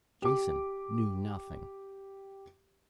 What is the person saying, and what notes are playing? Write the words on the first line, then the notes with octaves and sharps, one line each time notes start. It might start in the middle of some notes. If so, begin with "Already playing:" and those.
Jason knew nothing.
G4 D6